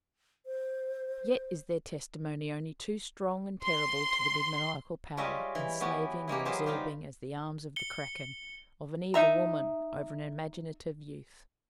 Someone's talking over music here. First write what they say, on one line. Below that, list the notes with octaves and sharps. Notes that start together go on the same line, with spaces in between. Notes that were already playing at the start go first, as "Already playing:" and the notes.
Yet is there testimony only too strong and terrible to the demoniacal power, enslaving and absorbing as the arms of the kraken, of an evil woman over an imaginative youth.
C5
C6
G3 G#3 C#4 F4 D#5 E5
E3
E3 B3 C#4 F#4 G4 A5
E3 G#3 A#3 G4
F#3 B3 F4 G4 G#4 C5
D#3 G3 F4 G4
C#7 G7
D#4 E5 A#5